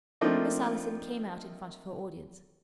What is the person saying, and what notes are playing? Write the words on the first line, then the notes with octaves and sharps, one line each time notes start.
Miss Allison came out in front of her audience.
F3 A3 A#3 C4 D4 D#4